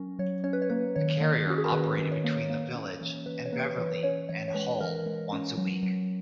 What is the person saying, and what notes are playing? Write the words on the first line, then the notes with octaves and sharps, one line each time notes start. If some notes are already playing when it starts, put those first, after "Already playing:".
A carrier operated between the village and Beverley and Hull once a week.
Already playing: F#3 C#4 A#4
F#3 C#5
C#4 C#5
B4
C#5
A#3 B4
D#3 C#5
A#3
C#4 F#4
G#4
A#4
D#3 B4
D#3
C#5
A#3
A#3
C#4
E3
E3 B4
C#5
A#3 B4
E3 B4
C#4 C#5
E3 C#5
C#5
G#3 B4
E3 A#4
G#3
C#4
F#3
F#3